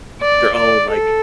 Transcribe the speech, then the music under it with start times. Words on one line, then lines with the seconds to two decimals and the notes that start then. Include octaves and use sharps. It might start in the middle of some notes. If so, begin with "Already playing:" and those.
their own, like,
0.22 D5
0.56 D5
0.92 A4